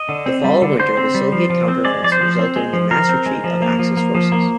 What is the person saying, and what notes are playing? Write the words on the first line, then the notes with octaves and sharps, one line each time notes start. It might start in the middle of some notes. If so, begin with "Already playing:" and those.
The following winter, the Soviet counter-offensive resulted in the mass retreat of Axis forces.
Already playing: D#5
D3
C4
G3
D3
D3 C5
C4
G3
F3
F3
C4
G#3 D5
F3 D5
C5
F3
C4
G#3
F3
F3 A#4
C4
G#3
F3
A#3
F3
A#3
F3
A#3